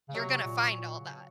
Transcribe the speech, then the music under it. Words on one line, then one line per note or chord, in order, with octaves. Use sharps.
you're gonna find all that.
C#3
C3 F#3
A#2
A#2
C#3